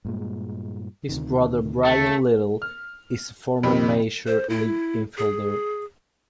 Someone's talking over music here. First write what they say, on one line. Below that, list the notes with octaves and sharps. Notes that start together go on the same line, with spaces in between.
His brother Bryan Little is a former major league infielder.
G2 A#2 G#3
D2 C3 D#3
A3
F6
F2 C3 D#3 B5
C5
E4
G#4